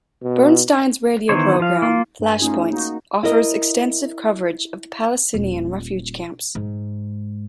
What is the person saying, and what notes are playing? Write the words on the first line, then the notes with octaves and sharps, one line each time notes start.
Bernstein's radio program, Flashpoints, offers extensive coverage of the Palestinian refugee camps.
B2
D#3 E3 B3 C5 C#5
F3 F5
A#3 F4
G2 G#5
A3 C#4 D#4 F4 G#4
A#3 D#4 F#4
E4 A#4 D#5
D#1
G#2